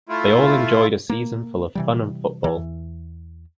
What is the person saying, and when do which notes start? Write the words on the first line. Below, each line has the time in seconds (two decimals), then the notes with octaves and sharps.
They all enjoyed a season full of fun and football.
0.09 A3 E4 F4
1.10 A#3
1.75 C3 E3 G3
2.44 E2 E3